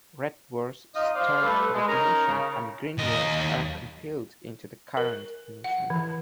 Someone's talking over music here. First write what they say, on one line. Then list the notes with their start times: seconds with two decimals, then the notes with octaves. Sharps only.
Red words start a definition and green words are compiled into the current definition.
0.95 D#4 F4 D#5
1.15 C5 D5 F5
1.42 G3 A3 A4 B4
1.73 G#3
1.87 C#4 D#4 A#4 A#5
2.26 C#3
2.98 D#2 D#5
4.97 A#4
5.64 F#5
5.90 E3